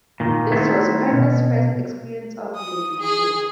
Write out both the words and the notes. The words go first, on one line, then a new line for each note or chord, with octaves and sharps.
This was Primus' first experience of relegation.
A#2 D#3
D#3 A3 B3 C4 E4
B2
D#6
G#4